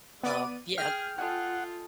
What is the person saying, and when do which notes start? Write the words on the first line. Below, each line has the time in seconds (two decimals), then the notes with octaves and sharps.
Um, yeah
0.23 B3 D5 D#7
0.78 G#4 G5 F6
1.18 F4 A4 D#5 F#5 G#5